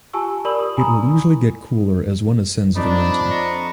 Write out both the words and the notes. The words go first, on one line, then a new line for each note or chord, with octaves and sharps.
It will usually get cooler as one ascends the mountain.
F4 G4 G#5 A5 C#6 E6
G4 A#4 D5 B5 E6 F#7
D#6
G#5 A#5 B5 C#6 D#6
F2 D4 D#4 D5 B5
D#5 A#5 C#6